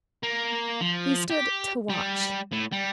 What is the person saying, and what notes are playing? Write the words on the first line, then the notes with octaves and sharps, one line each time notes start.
He stood to watch.
A#3
F3
G4
G3
A2
G3